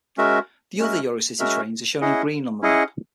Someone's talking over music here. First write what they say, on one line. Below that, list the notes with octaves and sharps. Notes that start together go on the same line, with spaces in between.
The other EuroCity trains are shown in green on the map.
G#3 C#4 F#4 A#4 E5
G#3 C#4 F#4 A#4 E5
G#3 C#4 F#4 A#4 E5
C#4 E4 G#4 D#5 F#5
C#4 E4 G#4 D#5 F#5